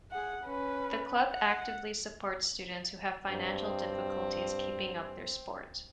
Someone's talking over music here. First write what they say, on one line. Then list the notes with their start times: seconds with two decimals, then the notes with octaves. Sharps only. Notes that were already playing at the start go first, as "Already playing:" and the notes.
The Club actively supports students who have financial difficulties keeping up their sport.
0.11 G#4 F#5
0.45 C#4 B4
1.31 F#5
3.29 G2 C4